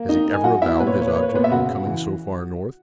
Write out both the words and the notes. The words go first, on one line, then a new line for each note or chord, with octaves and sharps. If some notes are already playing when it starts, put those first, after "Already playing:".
Has he ever avowed his object in coming so far north?
Already playing: A#3
D#3 D#4 D#5
D#3
G#5
F#3 F#4 F#5
B3 E4 E5
A#2 B4
C#5
B4
A#3 C#5
B4
A#3 C#5
B4
C#5
A#2 B3 B4
E5
C#3 F#4 F#5
C#3
E3